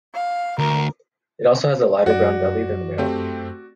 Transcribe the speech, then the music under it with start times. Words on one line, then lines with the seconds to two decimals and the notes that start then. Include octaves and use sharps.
It also has a lighter brown belly than the male.
0.14 F5
0.59 D2 A#4
2.06 F#2 F#4 D5
2.98 A3 C4 G4